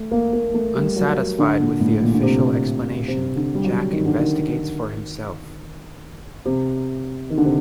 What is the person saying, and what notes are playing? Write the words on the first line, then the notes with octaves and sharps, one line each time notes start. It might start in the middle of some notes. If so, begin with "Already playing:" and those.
Unsatisfied with the official explanation, Jack investigates for himself.
Already playing: A3
A#3
A#3
A3
G3
F#3
D3
A#2
A2
A#2
D3
C3
C3
D3
G3
F#3
D#3
D3
D#3
C3
D#3
D3
C3